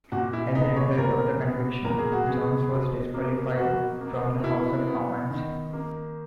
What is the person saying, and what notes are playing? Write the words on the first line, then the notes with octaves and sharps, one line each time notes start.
As a result of the conviction, Jones was disqualified from the House of Commons.
A#2 F#4
E4
B3 D#4
C#5
A#2 A#4
B3
A#2 A#4
G#4
F#4
B3 G#4
B2
A#3
B2 F#4
A#3
B2 E4
B3
D#3
A#3